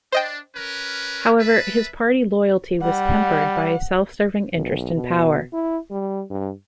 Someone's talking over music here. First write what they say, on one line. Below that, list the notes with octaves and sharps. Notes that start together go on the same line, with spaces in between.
However, his party loyalty was tempered by a self-serving interest in power.
D4 C5 D#5 G5
C#4 A#4 B4
B4 E5 A5
G3 F#5
B1
B2
E4
G3
G2